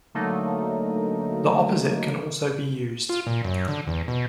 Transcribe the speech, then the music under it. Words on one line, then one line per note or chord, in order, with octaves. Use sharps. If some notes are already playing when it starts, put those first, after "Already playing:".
The opposite can also be used.
D3 F#3 A3 A#3 D#4
F4
A#2
F#2
D3
E2
B2